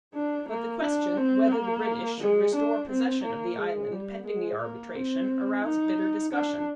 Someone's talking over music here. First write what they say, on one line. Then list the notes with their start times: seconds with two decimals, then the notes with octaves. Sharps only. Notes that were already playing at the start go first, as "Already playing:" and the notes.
But the question, whether the British should restore possession of the island pending the arbitration, aroused bitter discussion.
0.14 D4
0.49 A#3
0.83 D4
1.17 C4
1.51 A#3
2.20 G#3
2.55 D4
2.89 C4
3.23 A#3
3.58 G#3
3.92 G3
4.26 G#3
4.61 A#3
4.95 C4
5.64 D#4
6.32 D4